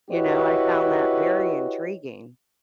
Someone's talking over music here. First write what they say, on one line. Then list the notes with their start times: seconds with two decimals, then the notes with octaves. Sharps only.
You know, I found that very intriguing.
0.11 E4 F#4 G4 B4 C#5 D#5